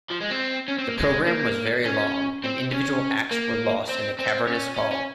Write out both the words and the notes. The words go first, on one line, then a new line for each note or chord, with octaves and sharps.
The program was very long, and individual acts were lost in the cavernous hall.
F3
G#3
C4
C#4
C4
A#3
G#3
A#3
C#4
C4
C#4
A#3
C4
C4
C#4
C#4
C#4